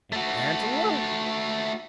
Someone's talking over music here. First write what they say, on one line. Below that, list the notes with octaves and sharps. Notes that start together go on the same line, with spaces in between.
"An antelope?"
A3 F#4